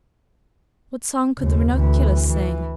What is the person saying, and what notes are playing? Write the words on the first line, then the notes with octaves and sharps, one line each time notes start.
What song could the Ranunculus sing?
F#1 D#2
D2 E3
E3